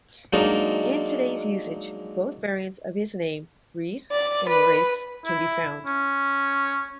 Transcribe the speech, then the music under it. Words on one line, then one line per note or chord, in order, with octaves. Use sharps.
In today's usage, both variants of his name, "Ries" and "Riese" can be found.
F#3 G#3 A#3 D4 D#4
D5
B4
E4
C#4